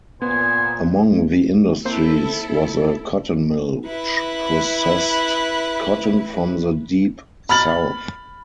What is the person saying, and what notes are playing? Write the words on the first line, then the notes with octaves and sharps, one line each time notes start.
Among the industries was a cotton mill, which processed cotton from the Deep South.
A#2 B3 C5 G#5
A#3 C4 E4 A4 C5
E4 B4
B5 F6 A6 F#7